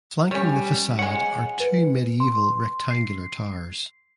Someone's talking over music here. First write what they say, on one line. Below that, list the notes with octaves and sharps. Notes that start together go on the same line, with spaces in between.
Flanking the facade are two medieval rectangular towers.
G3 C#4 C#5
G#3 C#5 F#5
B4
C6
C7